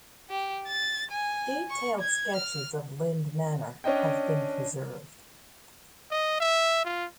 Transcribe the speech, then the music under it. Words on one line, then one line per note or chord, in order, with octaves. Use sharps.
Detailed sketches of Linde Manor have been preserved.
G4
A6
G#5
C#6
G#6
F6
C#4 D4 D#5 G5
D#5
E5
F4